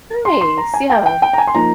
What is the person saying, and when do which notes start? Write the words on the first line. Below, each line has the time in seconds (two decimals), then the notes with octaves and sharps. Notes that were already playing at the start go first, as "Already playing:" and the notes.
Nice, yeah.
0.25 C6
0.41 C6
0.58 A#5
0.74 G#5
0.90 G5
1.06 G5
1.22 G5
1.33 A#5
1.38 G#5
1.47 C6
1.55 F3 A#3 D#4 A#5